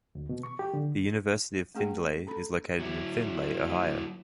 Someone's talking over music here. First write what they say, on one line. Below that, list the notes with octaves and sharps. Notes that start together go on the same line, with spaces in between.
The University of Findlay is located in Findlay, Ohio.
D2
B2
C#6
G4
D3
A3 C#4 G#4 G5
C#4 A4 B5
F#3 E4